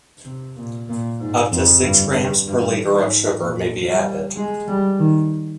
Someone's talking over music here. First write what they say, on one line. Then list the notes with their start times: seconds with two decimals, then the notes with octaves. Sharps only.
Up to six grams per litre of sugar may be added.
0.25 C3
0.57 A#2
0.89 A#2
1.20 G#2
1.52 F2
1.83 G2
2.14 G2
2.47 G2
2.94 G#2
3.41 A#2
3.89 G3
4.36 G#3
4.68 G3
4.99 D#3